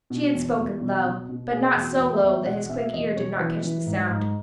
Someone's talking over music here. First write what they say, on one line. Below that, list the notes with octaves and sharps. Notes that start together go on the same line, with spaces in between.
She had spoken low, but not so low that his quick ear did not catch the sound.
B2
E2
E2
B2
B2
B2
B2 G#4
E2
F#4
E2
E5
E2
B2 F#5
B2 E5
E2 D#5
B2 C#5
E3 B4
E3
G#2
G#2